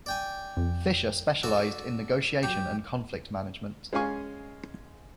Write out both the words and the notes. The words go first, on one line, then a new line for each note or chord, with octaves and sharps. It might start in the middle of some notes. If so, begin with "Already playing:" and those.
Fisher specialized in negotiation and conflict management.
D5 G5 G#5
F2
F#4 A4 D5
F#3 G4
G#3 C#4 F5 G#5 C#6